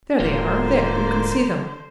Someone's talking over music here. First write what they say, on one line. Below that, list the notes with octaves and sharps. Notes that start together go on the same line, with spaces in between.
"There they are, there... you can see them."
D1 G#2 D3 A#3 F4 F#4 C5